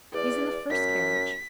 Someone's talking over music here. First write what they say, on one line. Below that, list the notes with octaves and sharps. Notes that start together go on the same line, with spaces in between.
"He's in the first carriage."
E2 D5
F#2 B6